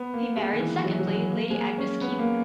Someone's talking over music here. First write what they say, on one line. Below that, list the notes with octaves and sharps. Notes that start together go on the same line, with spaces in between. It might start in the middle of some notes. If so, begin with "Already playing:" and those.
He married secondly Lady Agnes Keith.
Already playing: B3
A#3
G#3
D#3
E3
E3
F#3
F#3
G#3
A#3
G#3
A#3
C#4
B3
A#3